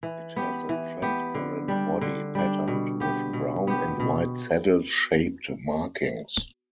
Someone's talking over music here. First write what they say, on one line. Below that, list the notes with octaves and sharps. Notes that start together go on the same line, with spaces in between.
It has a transparent body patterned with brown and white saddle shaped markings.
E3
B3 G4
E3
B3 G4
D3
G3 D4
D3
G3 D4
B2
B3 G4
B2
B3 G4
B2